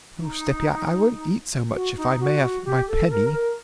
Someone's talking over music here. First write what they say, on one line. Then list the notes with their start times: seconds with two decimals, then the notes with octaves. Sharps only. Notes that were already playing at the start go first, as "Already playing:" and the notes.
"Oh, steppy, I won't eat so much if I may have my penny!"
0.17 D#4
1.73 F#4
1.96 D#4
2.19 F#4
2.42 F#4
2.64 G4
2.87 A4
3.09 A#4
3.31 A#4